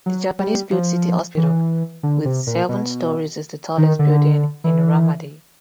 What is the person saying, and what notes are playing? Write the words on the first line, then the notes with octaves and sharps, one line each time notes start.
The Japanese-built city hospital, with seven storeys, is the tallest building in Ramadi.
F#3
G3
F3
E3
D3
C3
A#2
B2
D#3
D3
E3